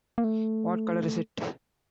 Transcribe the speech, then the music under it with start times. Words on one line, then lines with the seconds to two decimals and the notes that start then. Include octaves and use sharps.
What color is it?
0.18 A#3
0.24 A3